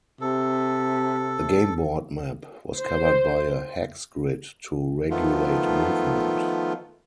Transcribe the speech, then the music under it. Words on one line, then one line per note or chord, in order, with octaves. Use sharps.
The game board map was covered by a hex grid to regulate movement.
C3 A4
C5
D#3 F3 A3 B3 F4